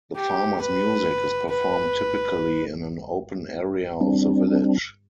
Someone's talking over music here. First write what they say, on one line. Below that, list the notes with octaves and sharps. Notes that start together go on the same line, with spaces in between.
The farmers' music is performed typically in an open area of the village.
G4
B4
B4
G3 C4 D4